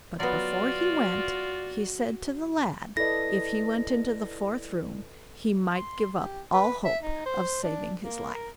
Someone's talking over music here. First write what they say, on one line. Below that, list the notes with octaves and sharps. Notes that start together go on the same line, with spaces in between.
But before he went, he said to the lad, if he went into the fourth room he might give up all hope of saving his life.
F#3 B3 F4 F#4 D5
E4 A4 B4 D5 D#5 A#6
C6
G4
B4
E5
D#4
C5
D4
A#3
A#4